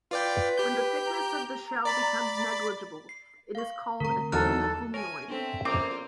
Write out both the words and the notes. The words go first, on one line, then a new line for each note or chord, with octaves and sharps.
When the thickness of the shell becomes negligible, it is called a thin homoeoid.
F4 B4 D5 G5
G4 G6
A#5
D5 B5 A6
C7
F5 C#6
D3 A3 C4 A#4 A#5
E2 F#3 D#4 A4 A#5 F6 F#6
A#4 C#5 E5 G#5
B3 C4 D4 A4 E5
A#1 A#3 C4 C#4 F4 B4 D6